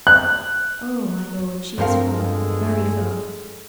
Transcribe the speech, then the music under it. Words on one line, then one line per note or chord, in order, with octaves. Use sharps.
'Oh, my lord, she is far, very far.
F#6
G2 F3 C4 A#4 F5
E2 G#3 A4